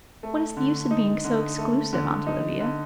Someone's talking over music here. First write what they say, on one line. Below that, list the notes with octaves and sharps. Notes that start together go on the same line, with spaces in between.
What is the use of being so exclusive, Aunt Olivia?
A3
D3
D#4
D3
A3
D3
D#4
D3